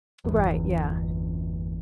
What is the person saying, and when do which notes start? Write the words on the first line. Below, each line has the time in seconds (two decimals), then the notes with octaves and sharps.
Right. Yeah.
0.25 G1 E2